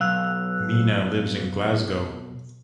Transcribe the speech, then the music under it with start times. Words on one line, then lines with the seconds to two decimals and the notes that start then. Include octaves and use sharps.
Mina lives in Glasgow.
0.01 B1 F5 E6 F#6